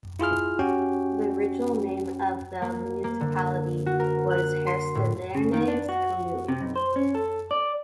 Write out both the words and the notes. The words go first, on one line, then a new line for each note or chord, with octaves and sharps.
The original name of the municipality was Herstedernes Kommune.
E4 F4 G#4 F6
C#4 F#4 G4 G5
A#3
A#3
D3
F#4
A#4
F#6
C6
A2
C#3
D#3
D4
F#4
C3
B1
C5
C#4
A4
D5